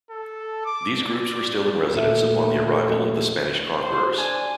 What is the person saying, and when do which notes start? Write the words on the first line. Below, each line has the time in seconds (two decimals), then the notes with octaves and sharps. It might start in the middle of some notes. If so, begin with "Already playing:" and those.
These groups were still in residence upon the arrival of the Spanish conquerors.
0.11 A4
0.65 D6
1.02 D5
1.94 A#2 A3 A4 E5
3.83 C5
4.17 D4 G#5